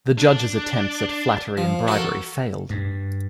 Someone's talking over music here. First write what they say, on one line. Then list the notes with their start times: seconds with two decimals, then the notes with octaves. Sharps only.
The judge's attempts at flattery and bribery failed.
0.18 D4
1.57 F3
1.88 F#4 A4 A#4
2.70 G2